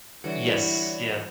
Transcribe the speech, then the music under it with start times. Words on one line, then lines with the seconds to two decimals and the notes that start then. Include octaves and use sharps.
Yes. Yeah.
0.24 D3 E3 G3 E4 F#4 C#5 D5 E5